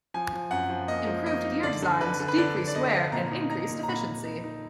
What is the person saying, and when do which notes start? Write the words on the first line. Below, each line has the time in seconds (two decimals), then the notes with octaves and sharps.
Improved gear designs decreased wear and increased efficiency.
0.14 F3 G#5
0.33 F3
0.51 F#2 F#5
0.70 F3
0.88 A#3 D#5
1.07 F3
1.25 A#3 D#5
1.44 D#4
1.63 D3 D5
1.83 D3
2.01 D3 B4
2.20 D3
2.28 B4
2.38 D3 D5
2.56 D3
2.67 D5
2.75 D3 D#5
2.94 D3
3.12 A#2 A#5
3.32 D#4
3.50 D#4 A#5
3.69 A#2
3.83 A#5
3.88 A#2 B5
4.06 A#2
4.24 D#4
4.44 D#4